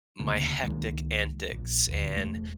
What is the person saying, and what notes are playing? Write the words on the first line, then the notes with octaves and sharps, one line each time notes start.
my hectic antics and
E1 D2 C#3 A#3
C#2 D#3 G#3 A#3
A#1
D#1 D2
E1 E2 G#3 A3